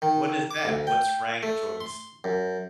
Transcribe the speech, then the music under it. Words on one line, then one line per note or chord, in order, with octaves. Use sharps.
What is that? What's "rank choice"?
D#3
D6
D2
G5
A3
C6
F#2